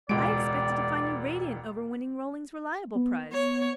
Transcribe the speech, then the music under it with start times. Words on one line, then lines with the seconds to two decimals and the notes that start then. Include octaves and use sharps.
I expected to find you radiant over winning Rollings Reliable prize.
0.09 E1 C#2 G#3 D5 D7
2.95 B3
3.32 C#5